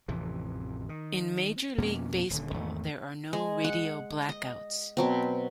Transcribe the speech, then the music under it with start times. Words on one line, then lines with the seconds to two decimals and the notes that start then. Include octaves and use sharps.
In Major League Baseball, there are no radio blackouts.
0.08 A1 F2 C3 E3
0.89 D#3
1.78 F2 B2 A#3 C#4
2.30 D#1 D3
2.54 G#1 E2 D#3 A3
3.33 G#3
3.64 F#5
4.29 D#5
4.97 B2 F#3 C4